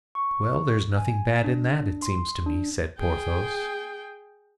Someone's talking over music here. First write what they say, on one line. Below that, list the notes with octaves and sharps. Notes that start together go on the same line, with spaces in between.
"Well, there's nothing bad in that, it seems to me," said Porthos.
C#6
G#5
D4
C6
D4
G#4 G5